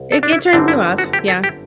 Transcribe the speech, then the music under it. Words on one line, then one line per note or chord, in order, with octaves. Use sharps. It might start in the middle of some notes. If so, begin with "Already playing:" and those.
It it turns you off. Yeah.
Already playing: C2
A4
D4
E4
G1 F#2 D3 G3 C4 D4
E4
F#4
G4
A4
G4